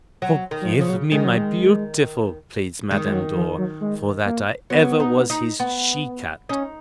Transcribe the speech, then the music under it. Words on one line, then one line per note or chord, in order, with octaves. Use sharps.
"Forgive me, my beautiful," pleads Madame Dor, "for that I ever was his she-cat!"
F#3
D#3
F#3
F3
C#3 F3
F#3
D#3 G#3
F#3
G#3
D#3 G#3
G#3
F#3
F3
F#3
G#3
A#3
F#3 B3
D#4
D#4
B3
C#4 D#4